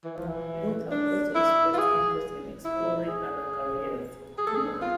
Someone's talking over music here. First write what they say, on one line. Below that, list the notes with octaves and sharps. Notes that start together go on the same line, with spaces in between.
Both have also expressed interest in exploring other careers.
E3
F3
E3
D4
E4
F4
G#4
E4
G#4
G#4
A4
G#4
F4